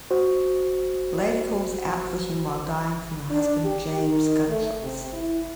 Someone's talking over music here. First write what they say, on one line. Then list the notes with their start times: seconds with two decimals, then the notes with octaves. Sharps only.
Lady calls out for him while dying from her husband Jabe's gunshots.
0.11 F#4 C5
3.30 D4
3.64 G4
4.00 D#3
4.49 A3
4.82 C3
5.13 E4